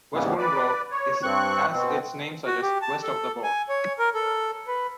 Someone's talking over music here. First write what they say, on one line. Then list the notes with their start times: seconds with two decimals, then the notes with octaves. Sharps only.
Westbourne Grove is, as its name suggests, west of the bourne.
0.14 D#2 G#2 C#3 E3 G3 B3
0.38 B4 D5
0.91 C#5
1.23 G2 C4 C#6 F#6
1.71 B2 C4
2.46 F#4
2.62 G4
2.82 A5
3.03 A4
3.43 G#5
3.69 C#5
3.99 A#4
4.15 A4
4.67 B4